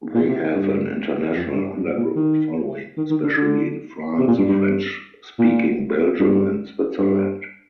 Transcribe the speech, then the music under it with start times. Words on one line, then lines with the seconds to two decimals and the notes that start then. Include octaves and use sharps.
They have an international underground following, especially in France, French-speaking Belgium and Switzerland.
0.14 A#2
0.28 C3
0.55 G2
1.36 F2
1.56 G2
1.76 G2
1.97 A#2
2.16 D#3
2.97 D#3
3.10 D#3
3.23 D3
3.37 D3
4.18 C3
4.28 A#2
4.38 G2
4.48 G2
5.39 A#2
6.19 G2
6.99 G2